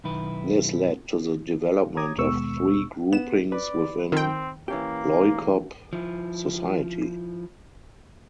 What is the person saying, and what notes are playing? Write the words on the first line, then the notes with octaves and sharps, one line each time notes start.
This led to the development of three groupings within Loikop society.
B1 F#2 D#3 E4 B4
C#5 A#5 D6 D#6 G#6
D#2 B2 G#3 B3 C#6 E6
B3 E7
B4 D5
D#3 C4 G5
E3 A#3 C#4 G4
F3 E4